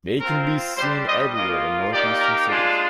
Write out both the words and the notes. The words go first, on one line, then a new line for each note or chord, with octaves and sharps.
They can be seen everywhere in northeastern cities.
C4 F4 A#4
G3 D4 G4 C5
D#5
A#3 D#5
F4
A#3 D#4 G4 D5
A#4
G#3 D4 F4 G4